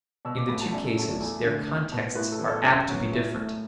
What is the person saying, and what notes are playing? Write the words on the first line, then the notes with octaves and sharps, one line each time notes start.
In the two cases their contexts are apt to be different.
B2 E6
D6
A3 B5
A5
F#2 D5
A4
F#3 A3 A4
D5
E2 A4
D3 A3
E2
B2 B3
A2 B4
A4
E3 B3
A4
F#2
F#3 B3
A2
A3